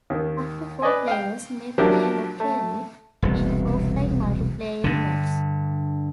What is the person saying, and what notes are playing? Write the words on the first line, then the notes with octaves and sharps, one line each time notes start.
Up to four players may play locally in offline multiplayer matches.
D#2 D#3
B4 D5 D#5 G#5
F5 G5
F3 F#3 D4 E4 G4 A#4
A3
E1 C2
G2 D3